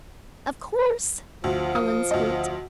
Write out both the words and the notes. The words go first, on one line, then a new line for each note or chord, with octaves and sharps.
"Of course," Helen squeaked.
D2 F3
D#6
D2 D#5